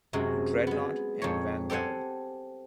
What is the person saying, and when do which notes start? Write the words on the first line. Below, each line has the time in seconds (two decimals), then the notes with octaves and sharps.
"Dreadnought" and "Vanguard".
0.13 F#2 C3 G#3 F#4
0.67 G#3 B3
1.22 F2 A#2 C#5
1.70 G4 A4 C5 F#5 G#5